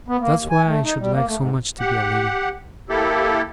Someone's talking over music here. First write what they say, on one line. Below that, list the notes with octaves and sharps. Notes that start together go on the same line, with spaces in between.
That's why I should like so much to be a lady.
B3
A#3
D#2
G#5
A3
D#4
G3
A#3
A3
G#2
G4 F#5
A#3 E4 G4 A4